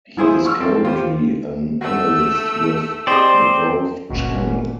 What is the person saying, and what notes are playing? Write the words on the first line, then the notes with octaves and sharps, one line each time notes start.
He is currently an analyst with the Golf Channel.
F3 E4 G#4 C5
F3 C#6 E6 F6
C4 A4
F4 G4 C5
A3 F#4 E6
C4 G4 G#4 C5 D5 D#5
G1 C#2 A#2 C#4 F#4